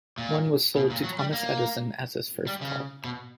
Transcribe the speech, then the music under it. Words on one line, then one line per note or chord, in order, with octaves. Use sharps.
One was sold to Thomas Edison as his first car.
A#2
B2
A#2
F#3
G3
A#3
G3
C#3
B2